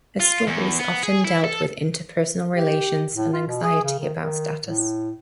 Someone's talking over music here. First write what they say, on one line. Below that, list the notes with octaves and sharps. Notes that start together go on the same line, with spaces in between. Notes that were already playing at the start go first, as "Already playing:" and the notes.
Her stories often dealt with interpersonal relations and anxiety about status.
F4
E2
B3
G#4
E4
A4
G4
A2
F4
B2
G#4
C#3
D#3
D#3
A2